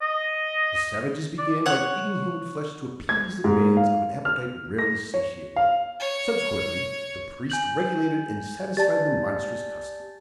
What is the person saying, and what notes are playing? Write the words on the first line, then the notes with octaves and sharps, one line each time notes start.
The savages began by eating human flesh to appease the demands of an appetite rarely satiated; subsequently the priests regulated and satisfied the monstrous custom.
D#5
D5
C#5 F#5
G#6
G#2
F5
F6
A#6
C#5
F5
C#5
G#5 G6 F#7
G4 D5 A5 A6